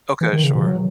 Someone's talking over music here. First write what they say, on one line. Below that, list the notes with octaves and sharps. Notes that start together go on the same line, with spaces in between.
Okay, sure.
E3
D#3
C#3
B2
E3
F#3